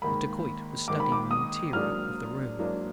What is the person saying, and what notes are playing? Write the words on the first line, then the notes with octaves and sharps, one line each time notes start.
The dacoit was studying the interior of the room.
G#2 D#3 A#3 B5
G#2 D#3 A#3 D6
B5
D6
D#6
G#2 F#3 A#3 D4 F6
G#2 F#3 A#3 D4